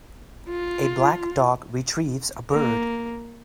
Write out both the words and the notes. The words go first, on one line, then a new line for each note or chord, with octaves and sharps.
A black dog retrieves a bird.
F4
A#3